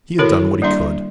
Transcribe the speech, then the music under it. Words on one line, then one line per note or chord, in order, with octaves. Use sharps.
He had done what He could.
D3 D#3 E4 F#4 A#4 C#5
G3 A#3 D4 E5 C6